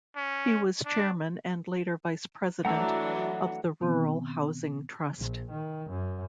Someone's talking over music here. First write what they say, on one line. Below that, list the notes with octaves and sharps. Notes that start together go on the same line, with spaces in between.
He was chairman and later vice-president of the Rural Housing Trust.
C#4
D4
E3 F#3 A3 D4 F#5 A#5 E6
B2 D#3 B3 C4
A#1
D#3
F#2